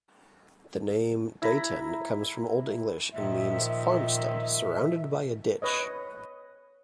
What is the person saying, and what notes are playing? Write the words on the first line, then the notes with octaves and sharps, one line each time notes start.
The name Deighton comes from Old English and means "farmstead surrounded by a ditch".
E4 A#5 B5
A#2 D#3 F3 E5
B4 C#5 D#5